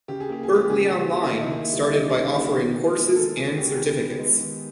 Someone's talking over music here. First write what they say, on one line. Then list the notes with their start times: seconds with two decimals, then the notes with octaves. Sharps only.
Berklee Online started by offering courses and certificates.
0.08 C#3 G4
0.20 G#4
0.29 A#3 G4
0.43 G#4
0.49 F3
0.55 G4
0.70 C#3 G#4
0.90 C#3 F#4
1.12 A#3 E4
1.32 D#3 E4
1.41 D#4
1.49 A#3 E4
1.73 G3
1.93 D#3 D#4
2.09 C#4
2.14 D#3
2.24 D4
2.34 A#3 G4
2.39 F#4
2.55 D#3 G#4
2.75 B3
2.86 A#4
2.96 G#3
3.16 D#3 A4
3.36 D#3 G#4
3.48 F#4
3.57 B3 G4
3.78 D#3
3.99 B3
4.19 G#3
4.40 D#3